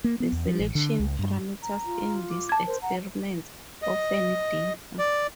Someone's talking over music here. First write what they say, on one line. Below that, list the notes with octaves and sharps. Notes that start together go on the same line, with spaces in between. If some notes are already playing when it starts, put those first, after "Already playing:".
The selection parameters in these experiments often differ.
A#3
B3
E2
F3
A1
D3
C#2
G2
A#5
F4
D6
A5 G#6
A#4 C5
F#5 A#5
D#5
D5